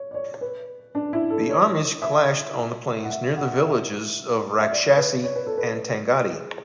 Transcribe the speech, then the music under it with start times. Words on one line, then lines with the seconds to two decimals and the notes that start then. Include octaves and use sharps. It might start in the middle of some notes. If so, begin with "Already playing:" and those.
The armies clashed on the plains near the villages of Rakshasi and Tangadi.
Already playing: C#5
0.11 D5
0.14 C#5
0.41 B4
0.95 D4
1.13 E4
1.30 A4
1.49 C#5
2.02 E5
3.03 F#5
3.10 E5
3.36 F#5
3.53 F#5
3.63 E5
4.59 E5
4.70 D5
4.97 B4
5.24 C#5
5.35 B4
5.47 A4
5.57 B4
6.30 G#4